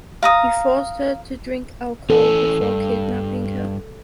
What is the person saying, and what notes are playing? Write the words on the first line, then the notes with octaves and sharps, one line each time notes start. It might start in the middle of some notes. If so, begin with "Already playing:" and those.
He forced her to drink alcohol before kidnapping her.
F5 A#5 D#6
E3 C#4 A4
G2